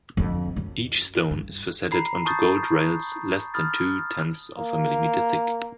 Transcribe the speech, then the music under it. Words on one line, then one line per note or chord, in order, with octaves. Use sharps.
Each stone is faceted onto gold rails less than two-tenths of a millimeter thick.
F2 D3
F#2
G2
A#5 B5 C7
A5 C#6 D#6 G6 A6
B5 D#6 F6 A6
A#3